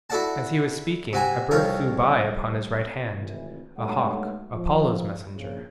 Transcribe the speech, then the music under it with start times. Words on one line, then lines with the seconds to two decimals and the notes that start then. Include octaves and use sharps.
As he was speaking a bird flew by upon his right hand--a hawk, Apollo's messenger.
0.10 E4 F#4 A4 D5 F#5 A5
1.13 C3 F#4 G#5 A#5
1.51 C2 F2 F4 C#5 F5 A#5
3.13 G#1 A2 C3 E3
3.77 B1 G2 G#3 A3 C#5 F#5
4.53 F3
5.36 A#1 C#3